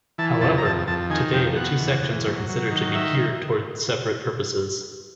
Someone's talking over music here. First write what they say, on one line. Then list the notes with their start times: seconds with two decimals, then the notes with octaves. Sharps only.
However, today the two sections are considered to be geared toward separate purposes.
0.18 E3 A5
0.41 F2 A5
0.58 A#5
0.64 F2 A5
0.87 F2 A5
1.10 D#3 G#5
1.33 F2 G5
1.56 B2 F#5
1.80 E2
2.03 E2
2.26 F#3
2.49 F#3
2.71 D#3
2.95 E5